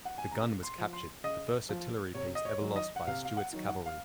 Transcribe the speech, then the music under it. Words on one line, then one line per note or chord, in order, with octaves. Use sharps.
The gun was captured, the first artillery piece ever lost by Stuart's cavalry.
F#5
G#5
C#3 A#5
C6
F3
C6
C#3 D#5
F3
C3 C#5
D#5
C#5
D#3 F#3
D#5
F#5
C3 F5
F5
F#5
D#3 F#3
F#5
F5